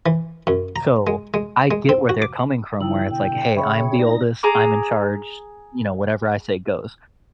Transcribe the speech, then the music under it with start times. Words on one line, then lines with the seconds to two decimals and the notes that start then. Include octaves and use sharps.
So, I get where they're coming from where it's like, "Hey. I'm the oldest. I'm in charge," you know, "Whatever I say goes."
0.06 E3
0.47 F#2
0.76 A#5
1.07 G#3
1.34 G#3
1.71 G#3
1.89 C4
2.09 F#4
2.22 D6
2.81 C#3 F3 D#4 E4 G5 E6 F#7
3.11 B2 D3 G5
3.56 C#3 G#4 C#5 E5 G5 B5 C#6
3.99 A#3 D#4 D5 A#6
4.43 G#4 A#5 D6